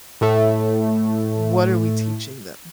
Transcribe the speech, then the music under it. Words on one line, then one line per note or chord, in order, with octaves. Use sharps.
"What are we teaching them?"
A2 A3